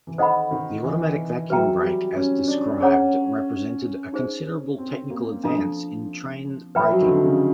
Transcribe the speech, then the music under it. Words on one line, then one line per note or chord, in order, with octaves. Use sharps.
The automatic vacuum brake as described represented a considerable technical advance in train braking.
E3
D#3 A4 C5 D#5 F#5 B5
D#3
E3
F#3 G#4 B4 E5 G5 A#5
G3
C#4
D4
C#4 G#4 C#5 F#5 A#5
D#4 G#4 C5
C4
A#3
F3 D4 F4 A4
F3 B4 E5 G5 B5
F#3
D#3
D3
C#3